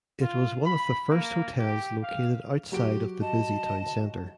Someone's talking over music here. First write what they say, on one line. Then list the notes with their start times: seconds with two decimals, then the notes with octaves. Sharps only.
It was one of the first hotels located outside of the busy town centre.
0.21 F4
0.66 B5
1.10 A#3
1.59 G4
2.03 F5
2.72 F#3 F#4 G4 D7
3.21 D#5 A5